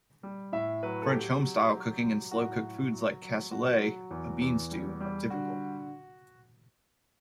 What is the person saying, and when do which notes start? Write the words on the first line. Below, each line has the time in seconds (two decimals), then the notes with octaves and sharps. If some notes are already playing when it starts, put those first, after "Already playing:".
French home-style cooking, and slow-cooked foods like cassoulet, a bean stew, are typical.
0.23 G3
0.52 A2 E5
0.83 F#3 B4
1.02 A4
1.13 F#3 G4
1.42 F#3
1.72 F#3
2.02 F#3
2.31 A2 F#4
2.61 F#3
2.92 F#3
3.22 F#3
3.51 F#3 F#4
3.82 F#3
4.11 E2
4.41 E2
4.71 G3
5.00 G3
5.30 D3 F#4